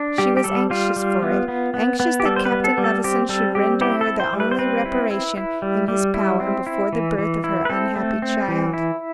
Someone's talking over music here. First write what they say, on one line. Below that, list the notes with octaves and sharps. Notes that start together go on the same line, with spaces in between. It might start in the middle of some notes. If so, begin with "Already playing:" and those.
She was anxious for it--anxious that Captain Levison should render her the only reparation in his power before the birth of her unhappy child.
Already playing: D4
G3 G4
G4
G3 A4
G3 F4
G3
B3
B3
B3
B3
G4
G3 A4
C5
B4
B3
A4
G3
A4
C4 G4
G3 A4
C4 G4
E4 G4
A4
E4
C5
G3
B4
C5
C4 B4
E4
E4
E4
G3
G3
E4
C4
E4
E3
E3
E4
B4
C4 A4
A3
C4
E3
E4